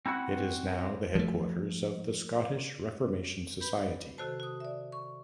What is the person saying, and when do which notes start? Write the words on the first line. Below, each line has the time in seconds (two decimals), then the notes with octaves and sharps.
It is now the headquarters of the Scottish Reformation Society.
0.06 C4 E4 F#4 F#5
1.15 F3 A3
3.60 B4 B5 G6
4.18 C3 D#3 F#4 A4 C5 A5
4.40 F#4 D#6
4.60 D5 E5
4.92 C#6